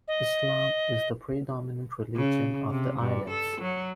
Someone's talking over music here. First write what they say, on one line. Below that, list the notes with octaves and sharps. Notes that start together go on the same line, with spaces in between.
Islam is the predominant religion of the islands.
D#5
C#3
C3
G2
A4
F#3